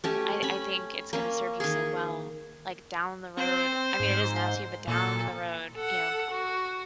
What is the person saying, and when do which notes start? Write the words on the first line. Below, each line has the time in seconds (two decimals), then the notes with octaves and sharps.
I I think it's gonna serve you so well, like, down the road, I mean it is now, too, but down the road, you know, g
0.04 A3 C#4 G4
0.43 C#4 B5
1.13 A#3 C#4
1.60 D#3 G#4
3.37 C4 C5
4.00 G#2
4.87 A#2 A4
5.75 A4 F#5
6.31 F#4